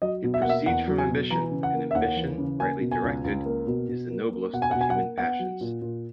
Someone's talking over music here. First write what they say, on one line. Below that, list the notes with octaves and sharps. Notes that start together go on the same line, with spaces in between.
It proceeds from ambition; and ambition, rightly directed, is the noblest of human passions.
F#3 D#5
B2
E5
F#5
A#3
E5
E2 F#5
F#3
G#5
B2
E3 A#5
C#3
F#5
A#3
E5
D#2 F#5
E3
C#3
A#3 G#5
B2
G#5
C#2
C#2
A#3
B2
B2
A#3
A#3
B2 F#5
G#5
B2 F#5
G#5
F#5
A#3
B3 F#5
F#3
A#2
A#2